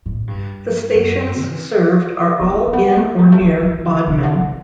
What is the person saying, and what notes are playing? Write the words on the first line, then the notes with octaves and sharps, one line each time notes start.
The stations served are all in or near Bodmin.
A2
G2
F#2
E3
B3
A3
A3
B3
A3
G3
A3
G3
E3
D3
C3
D3
E3